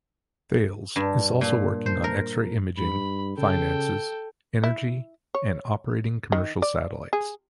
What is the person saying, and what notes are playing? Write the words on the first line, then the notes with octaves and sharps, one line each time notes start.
Thales is also working on X-ray imaging, finances, energy and operating commercial satellites.
G2
A#2
C5
A#4
G2 B5
C#3 A4 G5
E4
C#5
D#3
D5
G#4